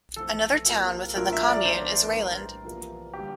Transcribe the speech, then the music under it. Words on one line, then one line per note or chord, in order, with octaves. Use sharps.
Another town within the commune is Reuland.
F2 E3 A3 C4 A4
C3 F3 A#3
C2 A#2 F3 A3 D4 A#4
E5
D5
E2 E3 A#3 D4 C5
D5
C5
A#4
A2 G3 D4
E2 C3 F3 A#3
D3 G3 G4